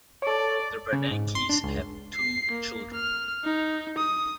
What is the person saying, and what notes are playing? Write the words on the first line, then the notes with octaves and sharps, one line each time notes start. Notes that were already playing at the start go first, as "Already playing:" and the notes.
The Bernankes have two children.
A4 C#5 D5
C#3
G#2
C6
D4
C#2
C7
A#3
F6
D#4
D#6